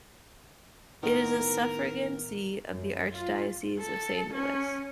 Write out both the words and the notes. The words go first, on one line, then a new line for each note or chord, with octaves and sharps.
It is a suffragan see of the Archdiocese of Saint Louis.
A2 D#3 B3 A#4
F#2
F4
A4
C#4